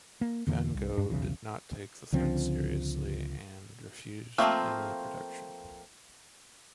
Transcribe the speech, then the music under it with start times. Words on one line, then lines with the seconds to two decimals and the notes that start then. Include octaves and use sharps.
Van Gogh did not take the threats seriously and refused any protection.
0.21 A#3
0.47 E2 D3 E3 A#3
0.74 C2
0.97 G2 D4
1.09 D#1 B1 E2 C#3
2.12 C#2 D3 F3 C4
4.38 F3 A3 A#3 C4